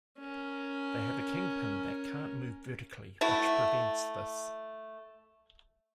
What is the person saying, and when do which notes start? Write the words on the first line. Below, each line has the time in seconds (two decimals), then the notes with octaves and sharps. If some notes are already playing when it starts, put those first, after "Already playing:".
They have a kingpin that can't move vertically which prevents this.
0.19 C#4 A#4
3.21 A3 E4 F#4